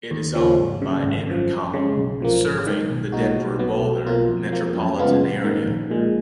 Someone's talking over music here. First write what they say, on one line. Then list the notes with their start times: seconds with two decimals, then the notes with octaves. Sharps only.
It is owned by Entercom, serving the Denver-Boulder metropolitan area.
0.11 D#2
0.35 C#3 F3 A#3 C#4
0.58 G#1
0.81 F#2 C#3
1.04 G#1
1.27 F#2 F3
1.50 F#2
1.74 C#3 G#3
1.97 B1
2.20 A#2 F3 A#3
2.43 G#1
2.67 G#2 D#3
2.89 B1
3.12 A#2 G#3 D#4 F#4
3.36 B1
3.59 B2 F#3 B3
3.82 B1
4.05 B2 A#3 F4
4.29 F2
4.52 F3 A#3
4.74 F#2
4.98 C#3 G#3 B3 F4
5.21 A#1
5.44 G#2 D#3 A#3
5.68 A#1
5.90 A#2 G#3